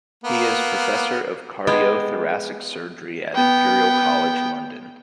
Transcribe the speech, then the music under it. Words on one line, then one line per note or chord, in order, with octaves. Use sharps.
He is Professor of Cardiothoracic Surgery at Imperial College London.
A#3 B3
G#3 B3 G5
B3 G5